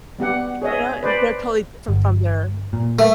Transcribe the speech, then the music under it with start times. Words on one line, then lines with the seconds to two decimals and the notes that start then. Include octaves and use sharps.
You know, and they're totally different from their
0.19 G3 B3 G4 F#5
0.62 G#4 C#5 D#5 E5
1.03 B4 C5 D5
1.88 G1
2.73 A#2
2.99 A3